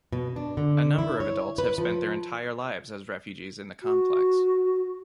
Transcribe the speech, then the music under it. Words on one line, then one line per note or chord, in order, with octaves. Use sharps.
A number of adults have spent their entire lives as refugees in the complex.
B2
D4
D3
E4
C#5
B4
F3
F#4